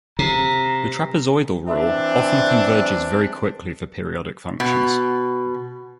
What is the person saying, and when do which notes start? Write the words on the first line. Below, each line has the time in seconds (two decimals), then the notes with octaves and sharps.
The trapezoidal rule often converges very quickly for periodic functions.
0.19 C3 A#5
1.68 E3 C4 D4 E5
4.60 B2